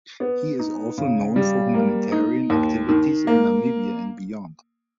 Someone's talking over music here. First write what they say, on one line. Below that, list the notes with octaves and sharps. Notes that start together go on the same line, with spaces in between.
He is also known for humanitarian activities in Namibia and beyond.
B3
D#4
C#3
G3
A#3
D#4
D#2
D#3
A#3